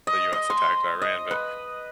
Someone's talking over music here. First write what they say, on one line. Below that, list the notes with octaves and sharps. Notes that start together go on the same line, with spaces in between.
the US attacked Iran, but
D#5
D#5
C6
D#5
B4